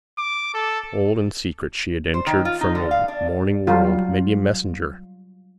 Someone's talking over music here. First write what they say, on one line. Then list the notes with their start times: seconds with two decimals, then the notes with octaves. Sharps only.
Old and secret she had entered from a morning world, maybe a messenger.
0.18 D6
0.54 A4
2.14 C5
2.27 D#3
2.45 F4
2.61 D#4
2.75 D3
2.91 F5
3.08 D4
3.67 F#3 G3 F4